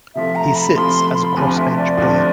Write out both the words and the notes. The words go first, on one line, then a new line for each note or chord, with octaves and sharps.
He sits as a crossbench peer.
C3 F3 A3 E5
A#5
B5
C3 F3 A3 C6
B5
C6
B5
D2 C3 F3 G#5
E5
D5
D2 C3 F3